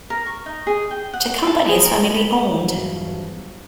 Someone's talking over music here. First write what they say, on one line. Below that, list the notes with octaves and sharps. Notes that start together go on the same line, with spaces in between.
The company is family-owned.
A#4
C#6
D#4
G#4
G5
F#5
A5
G#4
A#4
B5
E2 G2 C3 F3 F#3